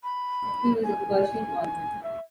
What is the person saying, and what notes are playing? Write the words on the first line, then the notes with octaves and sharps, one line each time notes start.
He was of Persian origin.
B5
G#5
E5